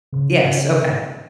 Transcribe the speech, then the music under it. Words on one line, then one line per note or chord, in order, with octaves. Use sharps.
Yes, okay.
C#3